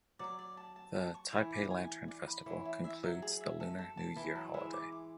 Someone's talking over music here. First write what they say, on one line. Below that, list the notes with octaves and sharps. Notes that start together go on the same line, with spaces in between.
The Taipei Lantern Festival concludes the Lunar New Year holiday.
F#3 D5
D5
A5
A5
A5
C#6
E3 G#5
D5
G#5
G#5
D5
B5
E3 C#5
E4
E5
F#3 E5
G#4
E5
A4
A4
A5
E3 A5
F#3 A5
E3 G#3 E5
D6
D6